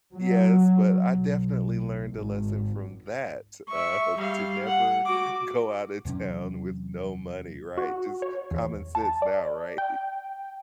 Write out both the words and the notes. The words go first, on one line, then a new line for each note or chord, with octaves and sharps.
Yes. But I definitely learned a lesson from that. Uh, to never go outta town with no money, right? Just common sense now, right?
F#3
B1
G#1
E5 C#6
G3 F5
F#5
F#4 D6
E2 C3 F#3 C#4
F#4
C#5
E2
A5
D5
G5